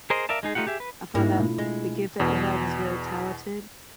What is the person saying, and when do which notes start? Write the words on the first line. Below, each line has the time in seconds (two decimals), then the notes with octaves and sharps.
I found that the gift that they have is very talented.
0.10 G#4 A#4 C5 D#5
0.29 A#4 D5 E5 F5 A5
0.43 G#3 D#4 G#4
0.55 A3 D#4 F4 G4 F#5
0.67 G4 G#4 E5
0.80 B4
1.15 G#2 A#3 D4 E4
1.39 B2 A3 F4
1.58 G#3
2.20 E2 B2